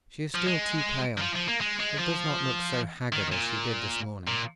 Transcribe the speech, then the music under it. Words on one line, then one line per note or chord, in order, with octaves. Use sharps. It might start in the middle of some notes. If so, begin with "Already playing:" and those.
She is still too pale, but does not look so haggard as she did this morning.
F3
G#3
D#3
F3
F3
A#3
G#3
G#3
F3
D#3
A#2
A#2